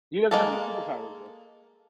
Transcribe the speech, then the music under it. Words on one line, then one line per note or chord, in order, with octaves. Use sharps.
He doesn't have any superpowers, though.
G#3 A#3 A4